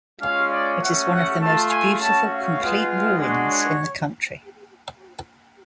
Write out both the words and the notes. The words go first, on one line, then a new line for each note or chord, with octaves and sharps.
It is one of the most beautiful complete ruins in the country.
G#3 C#4 F4 F5
D5
A3 C#4 F#4 F#5
F#5
A3 F4 A5
G#5
A3 C#4 F#4 A5
F5
G#3 B3 F4
G#3 D4 F#4
C#5